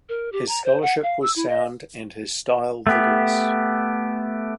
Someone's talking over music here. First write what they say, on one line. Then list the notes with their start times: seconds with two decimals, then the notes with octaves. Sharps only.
His scholarship was sound and his style vigorous.
0.09 A#4
0.32 G4
0.48 A#5
0.64 C5
0.82 F#5
1.03 F5
1.22 E6
1.36 E4
1.49 D#5
2.87 A3 B3 G4